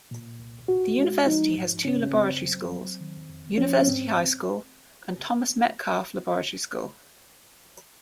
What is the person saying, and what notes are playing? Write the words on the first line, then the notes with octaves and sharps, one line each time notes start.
The university has two laboratory schools: University High School and Thomas Metcalf Laboratory School.
A#2
C2
A#2 F#4
G#3
F3 D#4
G#2
C#3 C#4
C#4
F#2 C4
F#3
F#3
D#3
F2
F3 C#4
C#4
G#2 C4